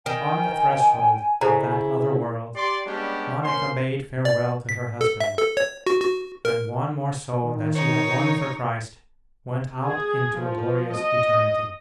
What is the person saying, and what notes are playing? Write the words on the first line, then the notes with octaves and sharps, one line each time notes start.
On the threshold of that other world Monica bade farewell to her husband, and one more soul that she had won for Christ went out into a glorious eternity.
D#3 G5 G#5
C#3 E4 A4 C5 A#5
G4 D5 C6
G3 G#3 B3 C#4 D4 G4
A#3 C#4 C5 C6
D5
B6
A4
E5
A4
C#5
F#4
F#4
A#4
D#3
D#4 C#5
G#4
F3
D#5